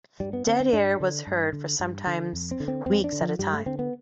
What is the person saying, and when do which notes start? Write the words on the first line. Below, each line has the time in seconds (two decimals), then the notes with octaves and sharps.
Dead air was heard for sometimes weeks at a time.
0.20 G2 G3
0.33 B3
0.47 D3 C4
0.60 C4
0.73 G2 D4
1.00 D3
1.27 G2
1.53 D3
1.80 G2
2.07 D3
2.33 F2
2.51 C4
2.60 D3
2.68 C4
2.86 F2 C4
3.04 D4
3.12 D3
3.21 F3
3.39 G2 G3
3.53 A3
3.66 D3 C4
3.79 B3